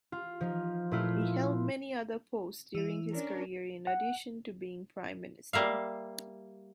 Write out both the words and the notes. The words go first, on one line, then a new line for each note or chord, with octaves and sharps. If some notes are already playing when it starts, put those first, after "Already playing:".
He held many other posts during his career in addition to being prime minister.
F4
F3 D#4
A#2 A3 E4 F4
E3 E4
C#4 D4 A#4
F#5
G3 A#3 E5 F5